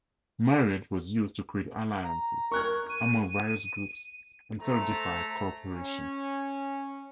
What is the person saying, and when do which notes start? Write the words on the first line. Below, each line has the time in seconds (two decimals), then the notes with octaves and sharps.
Marriage was used to create alliances among various groups and solidify cooperation.
2.04 A#5
2.52 A#4 C#6 F#6 G#6
2.90 D#7
4.61 A3 C5 A#5
5.65 C#4